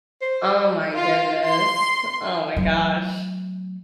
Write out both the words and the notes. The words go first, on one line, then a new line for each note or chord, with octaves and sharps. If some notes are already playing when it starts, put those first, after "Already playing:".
Oh, my goodness. Heh oh my gosh.
C5
F4
C6
F#3 A3